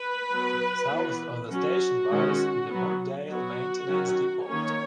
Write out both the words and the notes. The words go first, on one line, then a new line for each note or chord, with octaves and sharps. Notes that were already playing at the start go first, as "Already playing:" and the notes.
South of the station lies the Mortdale Maintenance Depot.
Already playing: B4
F#3 B3
E3 B3
F#3 C#4 F#4
D#3 G#3 C#4
F#3 B3
F#3 B3 F#4
D#3 F#3 C#4
D#3 A#3 C#4 C#5